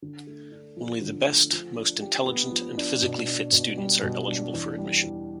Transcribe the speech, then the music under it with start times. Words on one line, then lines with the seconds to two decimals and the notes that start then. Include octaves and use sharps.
Only the best, most intelligent, and physically fit students are eligible for admission.
0.02 D3
0.27 A3
0.52 D4
0.77 F3
1.02 D3
1.26 A3
1.52 F3
1.77 D4
2.02 G4
2.27 B3
2.52 F3
2.77 D4
3.02 B2
3.28 D4
3.52 B2
3.78 G3
4.03 B2
4.27 D4
4.53 E2
4.78 G3
5.03 E2